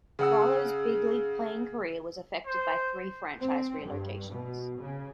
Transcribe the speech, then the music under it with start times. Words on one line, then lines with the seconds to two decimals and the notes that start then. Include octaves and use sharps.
Valo's big-league playing career was affected by three franchise relocations.
0.19 C#3 F#5 E6
2.46 C5
3.39 C4
3.82 G2
4.31 B2
4.80 C#3